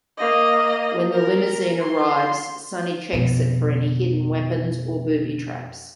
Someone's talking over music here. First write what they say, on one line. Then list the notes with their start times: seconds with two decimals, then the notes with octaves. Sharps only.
When the limousine arrives, Sonny checks it for any hidden weapons or booby traps.
0.18 A#3 D#5
1.12 A#4
1.81 C6
3.13 F2 B2